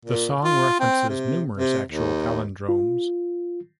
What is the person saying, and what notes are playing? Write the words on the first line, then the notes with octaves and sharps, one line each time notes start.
The song references numerous actual palindromes.
A#2
F4
C4
C3
C3
D#2
F4